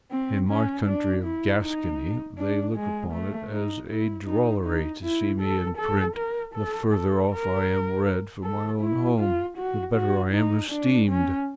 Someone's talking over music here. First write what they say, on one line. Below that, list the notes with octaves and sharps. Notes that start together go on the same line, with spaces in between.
In my country of Gascony, they look upon it as a drollery to see me in print; the further off I am read from my own home, the better I am esteemed.
C4
C#4
D4
E4
D#4
D4
G#3
A3
D#4
E4
D#4
D#4
E4
A4
A4
A#4
A4
A4
A#4
A4
E4
F4
F#4
F#4
D#4
D4
C#4